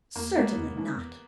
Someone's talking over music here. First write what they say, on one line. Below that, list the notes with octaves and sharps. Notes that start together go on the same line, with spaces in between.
"Certainly not!"
E2 A#3
B2 G#3 A#3 C#4
B3
E2
B2 G#3 C#4
E2